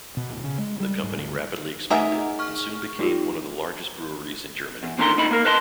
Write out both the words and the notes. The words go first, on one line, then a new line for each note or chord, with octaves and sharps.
The company rapidly expanded and soon became one of the largest breweries in Germany.
B2
D1
C#3
G#3
G3
G#2
D2
A3 D#4 G#4 A#4 D#5 E5 F#5 G#5
C#6 F6
G#3 D#4 F4 G4
E2
E2 A#2 D3 D#3 A#5 C6
C#2 A#2 D#4 B5
A#3 A#4
B4 D#5 A5 C6